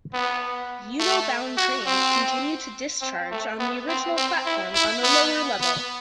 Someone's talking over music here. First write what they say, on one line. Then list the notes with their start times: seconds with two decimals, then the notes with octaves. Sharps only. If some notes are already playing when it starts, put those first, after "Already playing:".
Ueno-bound trains continue to discharge on the original platform on the lower level.
0.13 B3
1.00 A3
1.57 F#4
1.86 C4
3.01 C4
3.31 A3
3.59 B3
3.88 C4
4.17 C4
4.46 E4
4.75 E4
5.03 B3
5.61 B3